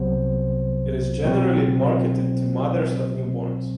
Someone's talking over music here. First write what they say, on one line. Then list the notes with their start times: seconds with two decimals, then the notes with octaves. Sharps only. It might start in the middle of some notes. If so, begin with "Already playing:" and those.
It is generally marketed to mothers of newborns.
Already playing: C2 C3 F#3 B3 C5
1.24 B2 F#3 C4